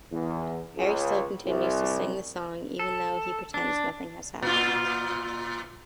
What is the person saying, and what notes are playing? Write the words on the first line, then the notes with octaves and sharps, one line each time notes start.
Harry still continues to sing the song, even though he pretends nothing has happened.
E2
C#2
C2
A4
D4
A#2 F4